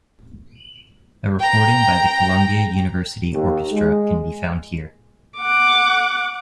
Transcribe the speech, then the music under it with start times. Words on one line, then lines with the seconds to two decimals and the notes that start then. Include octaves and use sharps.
A recording by the Columbia University Orchestra can be found here.
1.39 G5 A#5
3.33 D#2
3.72 G#3
5.38 F#5 D6